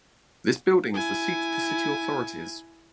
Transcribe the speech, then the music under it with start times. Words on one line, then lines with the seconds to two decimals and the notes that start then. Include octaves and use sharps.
This building is the seat of the city authorities.
0.94 E4 G#5